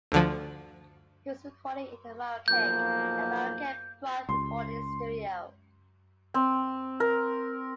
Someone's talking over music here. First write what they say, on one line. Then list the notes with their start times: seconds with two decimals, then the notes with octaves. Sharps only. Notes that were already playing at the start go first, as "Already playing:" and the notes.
He was recording in Marrakech at Marrakech Prod Recording Studio.
0.12 D2 D3 F3
2.48 B1 F3 A#3 G6
4.29 C#2 C6
6.34 C4
7.00 A#4